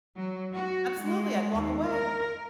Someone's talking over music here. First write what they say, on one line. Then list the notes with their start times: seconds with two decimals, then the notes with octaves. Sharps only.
Absolutely, I'd walk away.
0.16 F#3
0.53 F#4
1.02 G#3
1.55 D#2
1.88 A#4